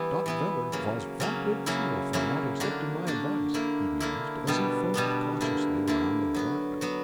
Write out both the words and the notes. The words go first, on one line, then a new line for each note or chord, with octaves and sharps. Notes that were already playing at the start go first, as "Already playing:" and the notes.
"Dot veller vas von big fool for not acceptin' my advice," he mused, as he fumbled cautiously around in the darkness.
Already playing: E3 G3 B3 E4
E3 B3 E4
C#3 F#3 A#3
C#3 F#3 A#3
C#3 F#3 A#3 E4
C#3 F#3 A#3 E4
D3 A#3 D4 F#4
D3 A#3 D4 F#4
D3 A#3 E4
D3 A#3 E4
B2 G3 B3 D4
B2 G3 B3 D4
D3 A#3 E4
D3 A#3 E4
F#3 B3 F#4
F#3 B3 F#4